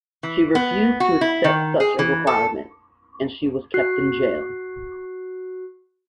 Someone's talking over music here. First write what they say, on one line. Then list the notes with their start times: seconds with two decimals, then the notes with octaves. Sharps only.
She refused to accept such a requirement, and she was kept in jail.
0.23 E3
0.55 B3
1.00 F#4
1.21 E4
1.44 D#3
1.80 G#4
1.99 E3
2.27 A4
3.74 F#4 F#6 C7